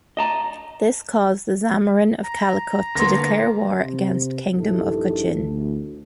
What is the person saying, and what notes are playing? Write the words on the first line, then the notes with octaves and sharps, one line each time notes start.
This caused the Zamorin of Calicut to declare war against Kingdom of Cochin.
D#5 A5 A#5
A#5
D3 A#3 B3 C6 A#6
C3
A#1 G2 D#4 E4 A4
D2